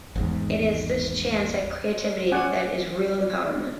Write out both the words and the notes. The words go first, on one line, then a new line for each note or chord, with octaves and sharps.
It is this chance at creativity that is real empowerment.
G#1 E2 G#2
C#4 D5 F#5 G#5